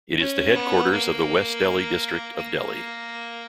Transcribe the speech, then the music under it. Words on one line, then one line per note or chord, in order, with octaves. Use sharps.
It is the headquarters of the West Delhi district of Delhi.
C#4
B3
A#3
A#3